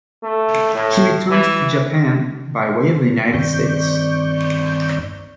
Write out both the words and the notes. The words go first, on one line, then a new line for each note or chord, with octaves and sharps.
He returned to Japan by way of the United States.
A3
A2
E3
G2 D#3 C4 D5 C#6 G6